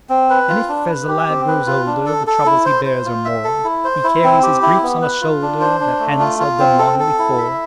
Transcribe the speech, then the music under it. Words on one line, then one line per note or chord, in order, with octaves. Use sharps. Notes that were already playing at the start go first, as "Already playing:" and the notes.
And if as a lad grows older The troubles he bears are more, He carries his griefs on a shoulder That handselled them long before.
C4
B4
F4
D4
B4
G4
C4
B4
F4
D4
A4
A4
E4
C5
C5
F4
E5
A4
E4
C5
E4
C4
G4
E4
B3
B4
F4
D4
C5
D4
A3
F4
F4
C4
A4
A4
E4
E5